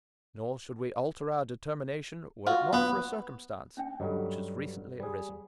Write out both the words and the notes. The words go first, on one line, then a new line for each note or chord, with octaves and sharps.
Nor should we alter our determination were it not for a circumstance which has recently arisen.
F4 F#4
B3
C#4 D4 G5
G2 F#3 G3 A4 D#5
G3 G#4